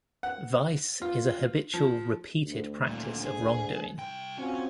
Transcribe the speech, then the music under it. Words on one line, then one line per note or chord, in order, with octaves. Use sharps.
Vice is a habitual, repeated practice of wrongdoing.
F#5
F4
F3
D2
D#2 A#2
G#4
C2 G5
C4 C#4 F4 F#4